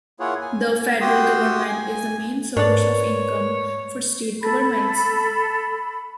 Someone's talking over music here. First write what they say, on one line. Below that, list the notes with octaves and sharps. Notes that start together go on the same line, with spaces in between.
The federal government is the main source of income for state governments.
A#3 E4 F4 G#4 C#5 F#5
G#5
F#4 G4 G5 C6 D#6
G#5
G#2 D4 A#4 B4 C#5 D5
A4 B5